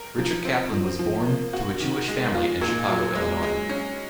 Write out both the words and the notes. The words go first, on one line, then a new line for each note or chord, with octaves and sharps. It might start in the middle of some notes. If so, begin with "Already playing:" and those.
Richard Kaplan was born to a Jewish family in Chicago, Illinois.
Already playing: A#4
F3
C4
F3
F3
A#3
F#4
D#3
G#3
F4
A#2
F#3
G#3
G#3
C#4